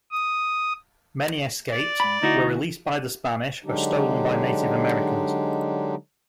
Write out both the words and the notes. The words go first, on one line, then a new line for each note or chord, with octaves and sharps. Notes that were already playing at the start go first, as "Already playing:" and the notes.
Many escaped, were released by the Spanish or stolen by Native Americans.
D#6
D5
G#2 B5
D2 D#4 E4 F#4
D3 F#3 G#3 D4 D#4 G4